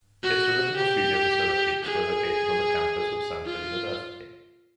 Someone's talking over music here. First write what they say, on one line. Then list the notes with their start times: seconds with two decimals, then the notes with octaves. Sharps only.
Its original studio facilities were located on the campus of Samford University.
0.23 F#4
0.76 G4
1.84 G#4
3.45 F4